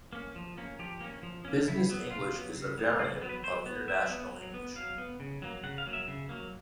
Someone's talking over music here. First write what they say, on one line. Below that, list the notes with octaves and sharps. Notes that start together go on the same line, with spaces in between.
Business English is a variant of international English.
A#3 C#4
F3
A#3 C#4
F3 G4
A#3 C#4
F3
A#3 C#4
C#3 E4
F#3 B3
C#3 F4
F#3 B3
C#3
F#3 B3
C#3 F4
F#3 B3
B4
F#3 C5
B3
F#3 E5
B3
F#3
B3
F#3 F5
B3
C#3
F#3 A#3
C#3 F#5
F5
F#3 A#3
E5
C#3
F#3 A#3